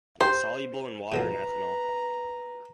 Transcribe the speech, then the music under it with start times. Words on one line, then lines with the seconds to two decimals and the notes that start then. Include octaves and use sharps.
Soluble in water and ethanol.
0.21 G4 C5
1.12 G#2 B2 F3 B4 A#5